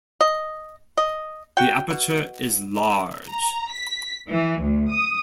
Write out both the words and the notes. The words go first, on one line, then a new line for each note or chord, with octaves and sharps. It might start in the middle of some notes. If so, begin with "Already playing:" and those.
The aperture is large.
D#5
D#5
F#4 G5
B2
A#5
B6
E3
D2
D#6